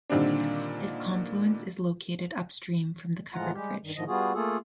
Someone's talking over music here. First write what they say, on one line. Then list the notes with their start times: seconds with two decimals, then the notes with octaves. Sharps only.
This confluence is located upstream from the covered bridge.
0.10 A#2 D3 D#3 G3 C4 D4
3.34 A2 F3 G#3 F4 F#5 A#5
3.54 G3 G#3 G4
3.83 G2 D#3
3.96 A2 D3 D#3 F3 D#5
4.07 G3 B3 F4 F#4 G#4
4.34 A3 A#3 F4 G#4 A4